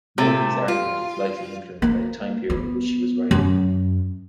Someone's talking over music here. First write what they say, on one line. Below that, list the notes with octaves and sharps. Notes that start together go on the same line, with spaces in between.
Mulvey's argument is likely influenced by the time period in which she was writing.
C3 A3
F4
A#3
B3
F#2